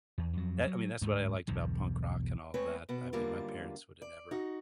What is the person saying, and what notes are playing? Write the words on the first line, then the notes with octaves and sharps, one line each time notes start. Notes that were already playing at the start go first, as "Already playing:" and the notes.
That I mean, that's what I liked about punk rock and all that. I mean, my parents would've never
E2
F2 F#3
F#3
D2 G#2
B1 E2 G2 D3
G#3 A3 C4 B4 C#5
B2 B3
F#2 D3 G3 A#3 F4
D5
D#4 F#4